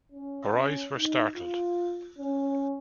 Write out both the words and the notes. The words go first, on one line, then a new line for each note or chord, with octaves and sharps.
Her eyes were startled.
C#4
C#4
D#4
F4
C#4